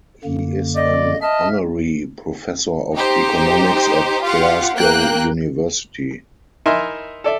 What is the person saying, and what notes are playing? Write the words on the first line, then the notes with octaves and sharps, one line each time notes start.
He is an honorary Professor of economics at Glasgow University.
F#2 D3 A#3
D5 D#5
D#5 E5 A5 F6
D#4 G4 C5
F4 G4 F5 F#5
A#3 G5 F#6
D#4 E4 A#4 E5 G#5 C6
A4 D5 E5